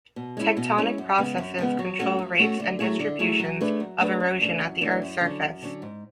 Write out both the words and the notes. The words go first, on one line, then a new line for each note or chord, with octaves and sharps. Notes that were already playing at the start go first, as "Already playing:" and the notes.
Tectonic processes control rates and distributions of erosion at the Earth's surface.
B2
G#3 C#4 E4
B2
G#3 C#4 E4
F#2
C#3 G#3 B3
F#2
C#3 G#3 B3
F#3
A3 C#4 F#4 A4
F#3
A3 C#4 F#4 A4
D3
F#3 A3 E4 G#4
D3
F#3 A3 E4 G#4
F#3
A3 D4 G#4 B4
F#3
A3 D4 G#4 B4
F#2
C#3 E3 A3 D4
F#2
C#3 E3 A3 D4
F#2
D3 F#3 C#4
F#2
D3 F#3 C#4
G#2